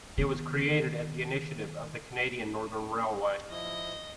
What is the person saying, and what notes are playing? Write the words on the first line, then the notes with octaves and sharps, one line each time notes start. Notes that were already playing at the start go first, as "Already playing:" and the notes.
It was created at the initiative of the Canadian Northern Railway.
D#3 B3
F3 E4 D#5